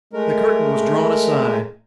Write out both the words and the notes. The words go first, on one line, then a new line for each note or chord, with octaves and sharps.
The curtain was drawn aside.
G#3 A3 A#4